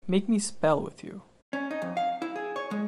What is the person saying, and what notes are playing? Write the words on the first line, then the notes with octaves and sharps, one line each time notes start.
Make me spell with you.
C#4
D#4
F2
F5
E4
G#4
C#5
G#3